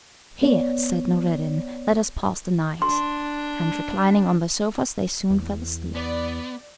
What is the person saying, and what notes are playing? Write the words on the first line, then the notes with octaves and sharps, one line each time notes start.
"Here," said Noureddin, "let us pass the night," and reclining on the sofas they soon fell asleep.
B3 C#5 D5
D4 C6
E2
B3 D5